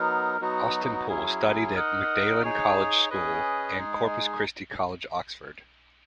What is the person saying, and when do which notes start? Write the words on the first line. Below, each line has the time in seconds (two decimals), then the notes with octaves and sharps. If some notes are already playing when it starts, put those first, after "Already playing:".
Austin Poole studied at Magdalen College School and Corpus Christi College, Oxford.
Already playing: F#3 B3 D#4 A#4
0.41 F#3 B3 D#4 F#4
1.09 F#3 C#4 E4 G#4
1.75 D#4 A#4 D#5 F#5
2.42 D#4 G#4 C#5
3.10 C#4 G#4 B4 D#5
3.77 G#3 D#4 G#4